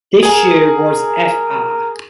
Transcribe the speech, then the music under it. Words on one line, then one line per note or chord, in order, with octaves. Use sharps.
This year was Fr.
G#4 A#4 G#5